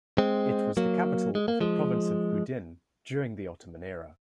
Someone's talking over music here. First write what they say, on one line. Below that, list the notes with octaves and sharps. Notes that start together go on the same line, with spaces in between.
It was the capital of the province of Budin during the Ottoman era.
G#3 C4
F#3 A#3
G#3
A#3
F3 G#3